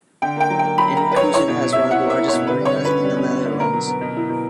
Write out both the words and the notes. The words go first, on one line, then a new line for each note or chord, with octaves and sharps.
Enkhuizen has one of the largest marinas in the Netherlands.
D3 G5
A#3 G5
F#3
A#3 G5
F#3 B5
A#3 A#5
A#3 B4
F#3 C#5
E4 C#5
B2
E4
B2 E5
E4 F#5
A#3
E5
E4
B2 C#5
D3 B4
G3 C#5
D3
C#4 B4
G3
C#4
D3
D3
B2 A#4
F#3
B3
B2
E4
B2